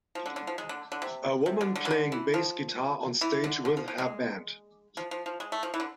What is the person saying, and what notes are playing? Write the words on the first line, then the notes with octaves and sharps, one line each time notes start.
A woman playing bass guitar on stage with her band.
F3
D3
D3
F3
G#3
D3
D3
C3
C3
D3
D3
E3
D3
E3
F3
E3
D3
D3
F3
F3
G#3
F3
F3
F3
G#3
A3
F3
E3
D3